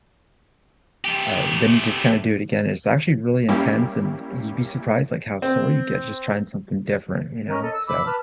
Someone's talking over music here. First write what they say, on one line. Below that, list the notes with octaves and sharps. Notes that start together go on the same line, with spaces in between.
uh, then you just kinda do it again. It's actually really intense and you'd be surprised like how sore you get just trying something different, you know, so
A3 G4
G3 A#3 C#4 E4 G4
C4
C#4 A#4 D#5
A4 D#5
E6
B5 D6 E6
B4 A5 F6